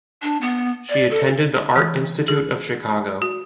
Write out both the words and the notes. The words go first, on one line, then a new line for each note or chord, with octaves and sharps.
She attended the Art Institute of Chicago.
D4
B3
D5
A4
E3
G#4
F#4